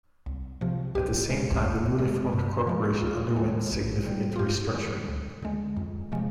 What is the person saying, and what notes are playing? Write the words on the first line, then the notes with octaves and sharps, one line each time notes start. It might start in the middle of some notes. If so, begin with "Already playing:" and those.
At the same time, the newly formed Corporation underwent significant restructuring.
C2
C3 F3
C2 G4
B2 G#3
F2
D3 G#3
G2
F3 G#3
D#2 F4
D#3 G#3
B1
B2 G3
F4
G2 G4
D3 G#3
D2
D3 G#3
F2
C3 F3 G#3